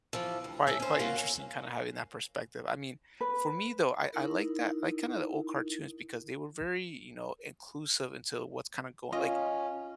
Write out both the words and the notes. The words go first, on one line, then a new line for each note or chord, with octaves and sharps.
quite quite interesting kinda having that perspective. I mean, for me though, I I like that, like kinda the old cartoons because they were very you know inclusive into what's kinda go like
E3 F3
D2
A3 C#4 E5
C#4 C5
A#3 F4 F#4
C#4
B4
D#4 E4 A#4
C#4 F4 D#5